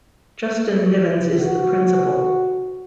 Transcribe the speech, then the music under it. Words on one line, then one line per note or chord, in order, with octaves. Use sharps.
Justin Nivens is the Principal.
F#4